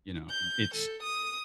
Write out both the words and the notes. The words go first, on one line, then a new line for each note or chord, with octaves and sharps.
you know, and it's
G6
A4
D#6